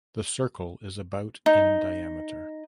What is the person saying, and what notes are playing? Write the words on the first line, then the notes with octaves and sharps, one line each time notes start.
The circle is about in diameter.
D#4